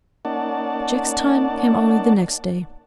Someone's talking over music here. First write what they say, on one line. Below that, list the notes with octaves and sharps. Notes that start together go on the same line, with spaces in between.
Jack's time came only the next day.
A#3 C#4 D#4 D5 F#5 A5